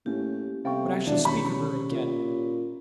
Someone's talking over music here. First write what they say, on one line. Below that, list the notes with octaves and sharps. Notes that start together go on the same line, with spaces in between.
But I shall speak of her again.
A2 A#3 C#4 G4
C3 G3 B3 A4 F5 G5 C#6
E1 B2 D#3 D4 E5
C#4 G4 C#5 B5
A#2